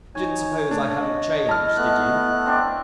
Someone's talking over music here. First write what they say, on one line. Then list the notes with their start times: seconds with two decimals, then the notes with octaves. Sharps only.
"You didn't suppose I hadn't changed, did you?"
0.15 D#4 C#5 G#5
0.71 A3 D4
0.99 D#5
1.49 E4 A5 F6
1.77 A3 B3 F#6
2.46 C4 D4 C#6